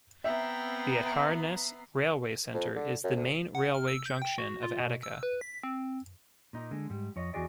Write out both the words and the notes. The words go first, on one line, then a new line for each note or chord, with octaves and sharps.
The Acharnes Railway Center is the main railway junction of Attica.
B3 C4 E5 G5 A#5 C7
F2
D3
F#2
D2
F#5
F6
E6
G6
G5
F#4
F4
B2
E6
B4
B6
C4
A#2 D#4
D3 G#3
G#2 G3
F2 C#5 D#5
E2 G#3 F#4 G#4 D5 D#5